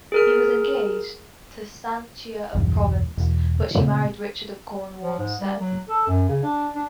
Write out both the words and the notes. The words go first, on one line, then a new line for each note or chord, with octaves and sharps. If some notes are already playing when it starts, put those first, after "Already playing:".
He was engaged to Sanchia of Provence, but she married Richard of Cornwall instead.
G#4 A#4 F6
B1 E2 G2
E1
A#2 C#3 A3 C4
F3
G#2
G3
F#3
A4
F#2
C#3
D4
D4